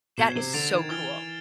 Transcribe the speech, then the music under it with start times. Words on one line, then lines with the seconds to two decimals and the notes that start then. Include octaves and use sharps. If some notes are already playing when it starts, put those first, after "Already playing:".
That is so cool.
0.17 B2 G#6 C7 E7
0.36 C3
0.53 D3 A6 D7 F7
0.71 D#3
0.90 E3 F6 A6 D7 G7